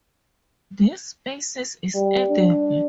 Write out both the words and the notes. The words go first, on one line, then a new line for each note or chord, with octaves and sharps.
This species is edible.
G3
D4